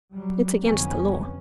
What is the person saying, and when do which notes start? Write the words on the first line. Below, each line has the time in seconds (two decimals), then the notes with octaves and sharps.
"It's against the Law."
0.12 F#3 G3
0.63 F1 F2 D3 B3 C#4